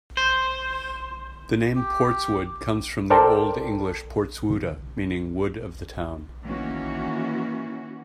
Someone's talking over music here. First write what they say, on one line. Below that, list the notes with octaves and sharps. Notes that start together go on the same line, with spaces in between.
The name "Portswood" comes from the Old English "Porteswuda", meaning "wood of the town".
C5
G4
A4 A#4 C5 D5 G5 A5
D#3 E3 A#3 C#4 F#4